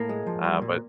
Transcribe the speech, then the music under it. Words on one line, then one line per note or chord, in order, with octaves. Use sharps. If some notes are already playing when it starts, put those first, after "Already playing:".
Uh, but
Already playing: A2 A#3
G#3
F3
G3
A#2